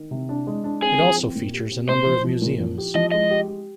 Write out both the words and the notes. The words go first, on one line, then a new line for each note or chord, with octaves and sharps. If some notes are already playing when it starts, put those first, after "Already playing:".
It also features a number of museums.
Already playing: D#3
C3
D4
G#3
D4
C4 G#4
F3
C4
A#2
G4
C4
A#2 C5
F3
F3
A#2
F3
G4
F3 D#5
G#3 D#5
G4
G4